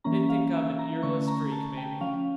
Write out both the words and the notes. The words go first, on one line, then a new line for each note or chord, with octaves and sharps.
They think I'm an earless freak, maybe.
E3 A#3 C#4 A#5
F5
E5
A#5
D3 A3 C#4 C#6
A#5
A5
G5
F3 C#4 F5